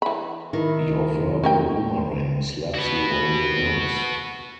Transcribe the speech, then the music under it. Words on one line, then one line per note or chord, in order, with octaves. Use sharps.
Your verbal boomerang slaps you on the nose.
E3 B5
D#3 D#4 E4
C3
A3 C#4 A#4 G5
F#4 B4